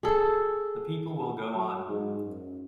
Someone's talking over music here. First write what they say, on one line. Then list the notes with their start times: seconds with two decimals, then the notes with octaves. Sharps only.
The people will go on.
0.03 G#4 A4
1.55 F#3
1.89 G#2
2.24 F#2